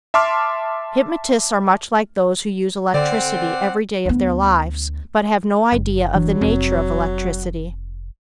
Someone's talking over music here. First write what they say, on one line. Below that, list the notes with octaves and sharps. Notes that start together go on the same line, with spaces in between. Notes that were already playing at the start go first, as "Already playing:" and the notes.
Hypnotists are much like those who use electricity every day of their lives, but have no idea of the nature of electricity.
E5 A5 C6 D6 F6
D3 C4 D5 F#5
D2 B3
F#1
E3 F#3 D4
F1 C4